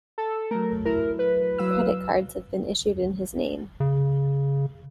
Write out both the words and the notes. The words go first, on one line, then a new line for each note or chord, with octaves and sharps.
Credit cards have been issued in his name.
A4
F#3 A3 A#4
F#3 E4 A#4
B4
F#3 F5 E6
C#3